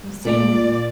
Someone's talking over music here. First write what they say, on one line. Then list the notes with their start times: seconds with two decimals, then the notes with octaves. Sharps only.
the senior.
0.25 A#2 D5